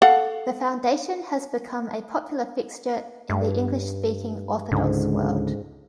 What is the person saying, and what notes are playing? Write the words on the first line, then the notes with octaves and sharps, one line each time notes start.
The foundation has become a popular fixture in the English-speaking Orthodox world.
A4 F5 F#5
G2
C#2 G#2 D3